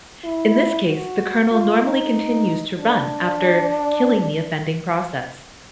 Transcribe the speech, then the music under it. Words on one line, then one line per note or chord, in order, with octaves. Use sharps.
In this case, the kernel normally continues to run after killing the offending process.
E4
F#4
F4
D#4
D4